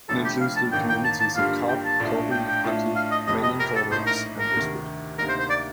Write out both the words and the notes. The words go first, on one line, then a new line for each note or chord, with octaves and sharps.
It includes the communities of Carp, Corkery, Huntley, Manion Corners, and Westwood.
F1 F2 D3 F3 A3 A4
G4
F5
A5
A1 G2 D#3 A#3 D#4 G5
G5
A5
A5
G2 D3 G3 A#3 F4 F5
G5
A5
A#1 A2 A3 D4 F4
G5
G5
A2 A3 D4 F4
F5
D#5
F1 F2 C3 G3 D#5
D#5
A#4
A4
A#1 A2 A3 D#4 C5
A#4
A#4
D2 C3 D#3
D2 C3 G3 A#3 D#4 A#4
C5
C5
D5